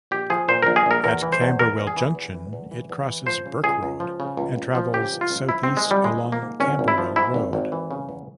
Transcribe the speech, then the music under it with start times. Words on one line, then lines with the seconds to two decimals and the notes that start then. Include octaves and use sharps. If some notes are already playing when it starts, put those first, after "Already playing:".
At Camberwell Junction it crosses Burke Road and travels south east along Camberwell Road.
0.11 A#1 G4
0.30 F3 G#4
0.48 A#2 C5
0.63 A#1 A#4
0.76 G#4
0.86 A#1 A#4
1.04 E2 A#4
1.22 E3
1.32 C5
1.41 E2
1.59 E3 A#4
1.78 E2
1.87 G#4
1.97 E3
2.15 E2
2.34 E3
2.53 E2
2.71 E3
2.90 E2
3.08 E3
3.26 F3 C5
3.46 C#3
3.63 C#2 G#4
3.83 C#2
4.00 F3
4.20 C#3
4.37 C#2
4.56 C#2
4.75 F3
4.93 C#3 G4
5.12 C#2
5.21 F4
5.30 C#2
5.49 F3 E4
5.63 G#2 C4
5.77 G#3
5.86 G#1 G3
6.04 G#1 G#3
6.24 F3
6.32 A#3
6.42 G#2
6.60 G#1 C#4
6.79 G#1
6.88 E4
6.98 F3
7.16 G#2 E4
7.34 G#1
7.53 G#1
7.72 E3
7.91 C#3
8.09 E2